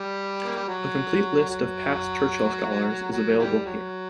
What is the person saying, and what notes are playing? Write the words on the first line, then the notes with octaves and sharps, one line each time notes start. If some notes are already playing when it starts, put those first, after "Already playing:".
A complete list of past Churchill Scholars is available here.
Already playing: G3
A#3
G3
F#3
F#3
F#3
E3 G3
F#3